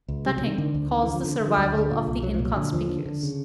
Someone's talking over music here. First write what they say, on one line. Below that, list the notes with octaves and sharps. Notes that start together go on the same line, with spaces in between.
Nutting calls the survival of the inconspicuous.
C#2
C3 G3
F#3
C3
D#3
D3 D#3
D2
D3 D#3
E3
D3
F3
D3
D3
F3
D2 F#3
D3
A#2
C2
C2 F#3
F3
A#2
F#3
D3 F#3
D#2 F3
D3
D3
C#3